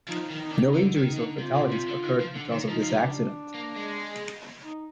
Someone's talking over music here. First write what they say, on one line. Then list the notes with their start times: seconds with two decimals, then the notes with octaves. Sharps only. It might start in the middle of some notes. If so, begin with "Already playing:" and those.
No injuries or fatalities occurred because of this accident.
0.09 F3 D#4
0.31 D#3
0.42 D#4
0.51 D#3 D4
0.58 D#4
0.74 D3 D#4
0.96 D#3
1.06 D#4
1.18 D3
1.38 C3 F4
1.55 A#2
1.71 C3
1.88 D3
2.04 D#3
2.20 F3
2.36 D3
2.52 D#3
2.69 F3 D#4
2.83 F3
2.90 G3
3.00 D4
3.54 A#3
3.76 G#3
4.63 D#4